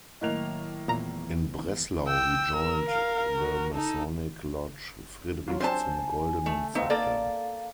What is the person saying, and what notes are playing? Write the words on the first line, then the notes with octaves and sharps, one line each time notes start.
In Breslau he joined the masonic lodge "Friedrich zum goldenen Zepter".
A2 D#3 F#3 A#3 D#5 F7
E2 A#2 A#5
G5 E6
A#4
F5
F#4
D#4 A4
F#3 F4
C4 D4 C5 G#5 A5
A3
A3 B3 C4 D#4 F5
A#3 A4 D5